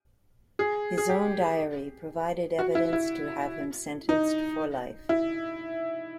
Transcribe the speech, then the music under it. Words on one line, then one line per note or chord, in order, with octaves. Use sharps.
His own diary provided evidence to have him sentenced for life.
G#4
G#4
G4
F#4
E4
E4
D#4
E4